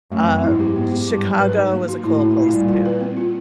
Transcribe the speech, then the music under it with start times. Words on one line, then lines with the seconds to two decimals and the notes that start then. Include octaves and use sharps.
Um, Chicago was a cool place too.
0.12 F#2 A3
0.28 C4
0.44 G#2 E4
0.60 G4
0.76 G#2 B3
0.92 G4
1.08 G2 G4
1.25 F#3
1.40 G#2 B4
1.57 D#4
1.73 A#3
1.88 F#4
2.04 A2 E4
2.20 E4
2.37 A#2 E4
2.53 G3
2.68 F4
2.86 B4
3.00 C4
3.17 F4